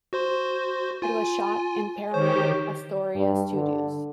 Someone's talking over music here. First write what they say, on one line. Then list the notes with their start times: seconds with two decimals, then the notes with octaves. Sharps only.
It was shot in Paramount Astoria studios.
0.13 F#4 C5 C6
1.02 F4 G#5
2.14 D#3 G4 C5 C#5
3.15 G2
3.54 D3